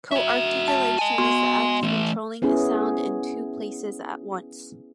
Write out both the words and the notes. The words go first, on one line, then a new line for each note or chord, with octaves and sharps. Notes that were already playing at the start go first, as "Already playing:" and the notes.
Coarticulation is the act of controlling a sound in two places at once.
F#4 E5
A5
D#5 G#5
B3 F#4 C6
E3 A3
B3 C#4 E4 G#4